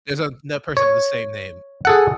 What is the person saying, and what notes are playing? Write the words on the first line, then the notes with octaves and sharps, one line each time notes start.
There's another person with the same name.
C#5
G#4 A4 F#5